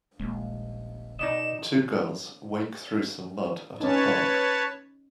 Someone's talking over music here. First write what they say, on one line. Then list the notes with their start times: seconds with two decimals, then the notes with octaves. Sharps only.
Two girls wake through some mud at a park.
0.19 D#1 A#1 G#3 A#3
1.19 B2 D#4 D5 D#5 E7
3.80 C#4 D#4 B4 C#5 A5